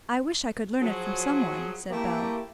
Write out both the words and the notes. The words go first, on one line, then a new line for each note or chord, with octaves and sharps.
"I wish I could learn it from some one," said Bell.
F3 F#3 G#4
A3 A#3 E4 G4